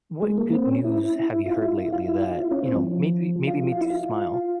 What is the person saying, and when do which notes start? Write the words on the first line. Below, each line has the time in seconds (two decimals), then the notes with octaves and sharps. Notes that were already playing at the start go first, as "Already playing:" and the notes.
what good news have you heard lately that, you know, made we maybe made you smile?
0.22 G#3
0.38 A#3
0.53 C4
0.69 C#4
0.85 E4
1.46 F4
1.62 E4
1.92 F4
2.08 E4
2.24 F4
2.39 E4
2.51 C#4
2.63 C4
2.75 F3
3.47 F4
3.72 F4
3.81 E4
3.90 F4